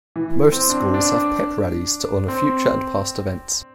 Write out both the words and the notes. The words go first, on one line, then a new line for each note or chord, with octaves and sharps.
Most schools have pep rallies to honor future and past events.
E3
C4
D4
D4
C4